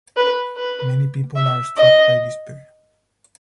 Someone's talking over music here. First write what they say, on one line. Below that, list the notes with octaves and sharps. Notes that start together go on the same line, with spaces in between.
Many people are struck by despair.
B4
B4
E5
D#5